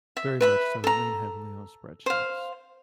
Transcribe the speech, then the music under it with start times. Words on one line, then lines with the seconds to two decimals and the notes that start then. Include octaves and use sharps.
very much so, we lean heavily on spreadsheets.
0.17 E5
0.41 B4 E5 B5
0.84 A4 A#5
2.06 C5 F5